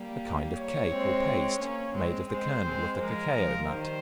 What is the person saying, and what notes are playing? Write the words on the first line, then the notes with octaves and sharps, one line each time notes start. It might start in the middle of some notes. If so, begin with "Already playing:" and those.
A kind of cake or paste, made of the kernel of the cacao-nut.
Already playing: G3 A#3
C#5
G#3 C4
A#3 C#4
G#3 C4
G#3 C4 C5
G#3 C4
F3 G#3 A#4
F3 G#3
D#3 G3 C5